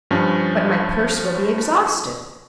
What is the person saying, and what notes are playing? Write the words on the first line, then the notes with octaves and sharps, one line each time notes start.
"But my purse will be exhausted."
G2 F3 C#4